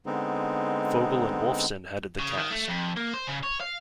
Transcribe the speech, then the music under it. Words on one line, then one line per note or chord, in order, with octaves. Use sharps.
Fogel and Wolfson headed the cast.
D3 G#3 B3 C4 D#4
C#3
D#3
A3
F2
A#3
C5
C#3
C#5
F5